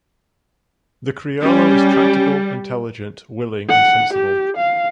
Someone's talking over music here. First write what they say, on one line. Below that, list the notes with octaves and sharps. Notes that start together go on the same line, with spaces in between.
The criollo is tractable, intelligent, willing and sensible.
G3 C#4
F#5
G4
F5